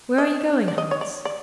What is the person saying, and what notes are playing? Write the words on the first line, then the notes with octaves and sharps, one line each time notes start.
'Where are you going, Hans?'
D#5
D5
D#5
C#5
D5
D5